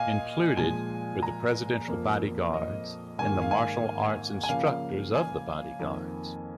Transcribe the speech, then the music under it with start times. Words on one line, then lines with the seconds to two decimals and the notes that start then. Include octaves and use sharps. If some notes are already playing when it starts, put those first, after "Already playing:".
Included were the presidential bodyguards and the martial arts instructors of the bodyguards.
Already playing: A#2 A#3 D#5 F5 G#5
0.57 A#2 F3 G#3 G#5
1.23 A#5
1.88 F2 F3 A#3
2.54 D#5
3.18 G#2 D#3 A#3 G#5
3.42 F5
3.51 G#5
4.44 G#5
4.49 C#3 F3 A#3 F5
5.15 G#5
5.80 F2 D#3 A#3